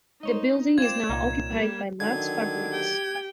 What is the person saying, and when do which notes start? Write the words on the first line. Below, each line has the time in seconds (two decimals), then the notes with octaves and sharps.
The building is now occupied by Lux Fabrics.
0.23 D#4 C5 C#5 D#5
0.78 C4 F4 C5 D5 G#6 E7
1.09 C2 A#2 C#4 D#4 F5
1.49 G3 A#3
2.00 D3 D#3 F#3 G#6
2.70 G4 G5